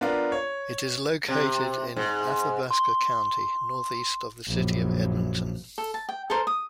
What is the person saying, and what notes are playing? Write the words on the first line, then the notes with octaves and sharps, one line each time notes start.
It is located in Athabasca County, northeast of the City of Edmonton.
B3 D4 F4 A#4
C#5
C3
G#2
C6
A#1 F#2
A4
A5
G5
A4 A#4 C5
D#6